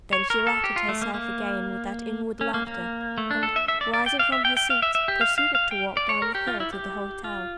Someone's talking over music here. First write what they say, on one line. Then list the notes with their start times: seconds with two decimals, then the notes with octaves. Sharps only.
Then she laughed at herself again with that inward laughter, and, rising from her seat, proceeded to walk down the hill to the hotel.
0.13 C#5
0.30 A#4
0.47 A4
0.64 G4
0.76 F4
0.89 A3
1.02 A#3
1.14 A#3
2.41 C#4
2.54 A#3
2.67 A#3
3.18 A3
3.31 D4
3.43 A4
3.56 E5
3.68 E5
3.81 D5
3.94 D5
4.06 G5
4.19 F5
4.32 E5
4.45 G5
4.57 G5
4.70 F5
4.82 E5
4.95 E5
5.08 G4
5.21 F5
5.38 F5
5.55 F5
5.71 G5
5.97 D5
6.09 C#5
6.22 A#4
6.35 G4
6.48 F4
6.60 E4
6.73 G4
7.24 F4